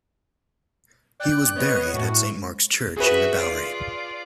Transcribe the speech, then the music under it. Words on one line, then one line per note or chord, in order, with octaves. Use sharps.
He was buried at Saint Mark's Church in-the-Bowery.
D5 G5 F#6
B3 C#5 D#5
A2 F#4
F#4 G#4 B4 E5
F4 D5